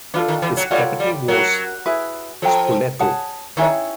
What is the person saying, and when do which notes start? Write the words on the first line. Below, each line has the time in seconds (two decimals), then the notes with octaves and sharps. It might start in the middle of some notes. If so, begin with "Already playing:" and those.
Its capital was Spoleto.
0.14 E3 D4 F4 A4
0.28 D#3
0.42 E3
0.57 F#3
0.71 G3 F4 A4 C#5 F#5
1.00 G3
1.28 F#3 C#4 F#4 A#4
1.86 E4 G#4 B4
2.42 F3 A4 D5 G5 A#5
2.99 G#4 C#5 F#5 A5
3.57 D#3 C#4 E4 G#4 C#5